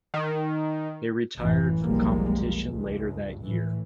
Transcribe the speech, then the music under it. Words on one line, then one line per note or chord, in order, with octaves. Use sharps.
They retired from competition later that year.
D#3
A1 F#2 E3
F1 B1 F3 G3 G#3 A#3
C#2 G2
A2 E3